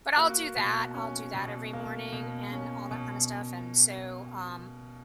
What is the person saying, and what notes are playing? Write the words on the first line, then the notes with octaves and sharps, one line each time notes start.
but I'll do that, I'll do that every morning and all that kinda stuff, and so, um,
A#3 F#4
B2
C#4
B2
A#3
B2
C#4
B2